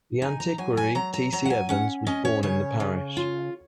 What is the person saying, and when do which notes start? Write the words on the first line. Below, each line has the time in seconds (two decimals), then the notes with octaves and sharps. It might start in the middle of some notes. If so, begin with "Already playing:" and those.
The antiquary T. C. Evans was born in the parish.
0.22 D#4 G#5
0.40 A#5
0.58 F#3 G#5
0.77 G#5
0.95 F#3 A#5
1.14 A#5
1.32 F#3 A#5
1.45 F#5
1.50 G#5
1.69 C#4 F#5
2.07 C#4 D#5
2.25 C#5
2.43 C#3 C#5
2.80 C#3
3.17 F4